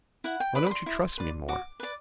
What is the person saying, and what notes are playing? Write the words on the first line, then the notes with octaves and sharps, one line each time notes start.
Why don't you trust me more?
E4 F#5
G5
B4 D5 B5
B5
C6
E4
B4 D5
F#4 D6
B4 D5